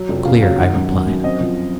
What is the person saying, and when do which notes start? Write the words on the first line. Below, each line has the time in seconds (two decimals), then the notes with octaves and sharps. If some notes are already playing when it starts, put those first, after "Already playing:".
"Clear," I replied.
Already playing: F#3
0.09 F1
0.25 C#3 F5
0.42 F#3 F5
0.58 D#3 F#5
0.74 F#2
0.92 F#2
1.08 F#2
1.24 C4 D#5
1.40 F3